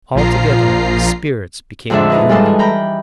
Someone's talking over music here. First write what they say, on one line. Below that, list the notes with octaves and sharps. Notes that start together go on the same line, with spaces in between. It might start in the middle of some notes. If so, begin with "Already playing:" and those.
Altogether his spirits became gloomy.
A#1 A#2 F3 F4 A#5 C7
F2 G#2 D3 D4 E5
D#4 B4 D#5
G3 G#3 F4 A4 B4 D#5
E3
G5 A#5 B5